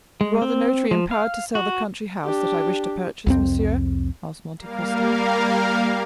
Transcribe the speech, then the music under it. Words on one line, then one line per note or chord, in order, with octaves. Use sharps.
"You are the notary empowered to sell the country house that I wish to purchase, monsieur?" asked Monte Cristo.
G#3
C4
F3
F5
F#4
D4 G4
C2 F2 C4
G3 A#3 A#4 F5